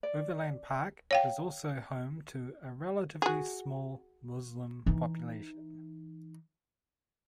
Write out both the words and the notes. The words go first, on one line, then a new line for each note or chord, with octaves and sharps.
Overland Park is also home to a relatively small Muslim population.
D5
C#5 F5 G5
F#4 G#4
E3 D#4